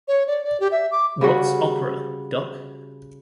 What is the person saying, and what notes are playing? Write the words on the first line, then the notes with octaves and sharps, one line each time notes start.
What's Opera, Doc?
C#5
D5
D5
G4
E5
D6
C#3 G3 F#4